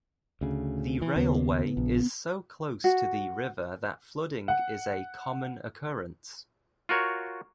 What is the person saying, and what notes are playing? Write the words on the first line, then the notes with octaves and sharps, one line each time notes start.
The railway is so close to the river that flooding is a common occurrence.
D2 C#3
E3
D#2 C#3 B3
A#1
F#4
F#5
F4 F#4 A#4 C#5